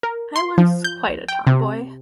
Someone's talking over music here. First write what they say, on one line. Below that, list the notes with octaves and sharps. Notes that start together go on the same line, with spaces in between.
I was quite a tomboy.
A#4
C6
F3
G6
G5
C3